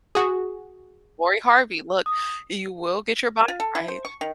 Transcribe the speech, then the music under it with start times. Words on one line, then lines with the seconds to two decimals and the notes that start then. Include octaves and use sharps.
Laurie Harvey, look, you will get your body right.
0.15 F#4 G#4
2.06 D#6
3.48 F4
3.60 A4
3.75 E4
3.88 C5
4.05 C#6
4.21 D#3